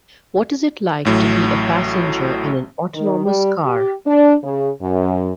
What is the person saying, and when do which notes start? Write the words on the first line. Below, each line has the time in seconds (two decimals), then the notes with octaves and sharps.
What is it like to be a passenger in an autonomous car?
1.05 A1 A2 F#3
2.94 D#3
3.24 G3
3.65 G4
4.06 D4
4.42 C#3
4.81 F#2